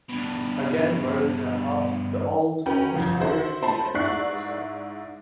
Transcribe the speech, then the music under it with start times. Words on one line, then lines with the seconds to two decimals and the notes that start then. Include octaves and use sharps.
Again rose in her heart the old, almost weary feeling towards him.
0.09 G2 B2
2.66 C#4 F#4 A#4 B4 G5
2.94 G1 C2 F2
3.20 E4 F#4 C5
3.63 C5 A5 B5
3.94 G#2 E4 D5 C#6 F#6 C7